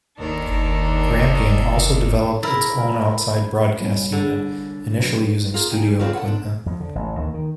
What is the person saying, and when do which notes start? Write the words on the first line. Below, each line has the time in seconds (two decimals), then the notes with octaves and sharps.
Grampian also developed its own outside broadcast unit, initially using studio equipment.
0.18 D#2 D#3 D4 A4 A#4
2.43 E4 A#4 A6
3.80 C2 G3 C#4
4.12 D3
5.00 F#3 B4
5.54 F4 G#4 A#4
5.71 C4 D#4 G#5
5.87 G3
5.99 D3 F#3 A3 C4 F4 G#4
6.14 A4 F#5
6.26 G#2 D4
6.66 F2
6.80 D3
6.95 A1
7.19 D#2
7.34 D#3